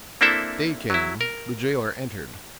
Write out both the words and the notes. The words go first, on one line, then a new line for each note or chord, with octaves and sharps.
Day came, the jailer entered.
A#3 C4 D4 E4 A4 E5
F#3 E4
A#4